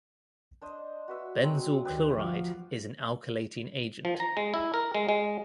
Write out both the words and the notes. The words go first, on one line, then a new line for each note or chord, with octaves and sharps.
Benzyl chloride is an alkylating agent.
D4 C5 D#5
F#4 B4 E5
F#3 G#3 C4
D2 D#3 G4 B4 A#5
F3 F#4 F5 D6
F3
A#5
G#3
E4
A#4
G#3
G#3